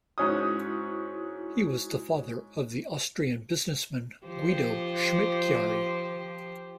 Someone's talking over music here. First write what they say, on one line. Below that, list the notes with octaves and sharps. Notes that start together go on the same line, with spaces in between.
He was the father of the Austrian businessman Guido Schmidt-Chiari.
G#2 C#4 E4 F#4 D#6
F3 G4 C5